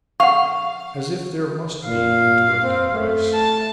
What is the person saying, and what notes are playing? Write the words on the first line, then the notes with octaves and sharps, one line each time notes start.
"As if there must be!" interrupted Bryce.
F5 F#5 C#6
A#2 F5
C4
A3
A5